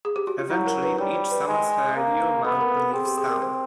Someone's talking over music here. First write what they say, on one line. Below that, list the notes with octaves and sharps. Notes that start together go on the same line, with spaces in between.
Eventually, each summons her ideal man and leaves town.
G#4
G4
F#4
F4
F#3 E4
A#4
B4
G3 C#5
C5
B4
G#3
A#3
B3 A4
B4
A#4
A4
C4 G#4
G4
G#4
A#4
C5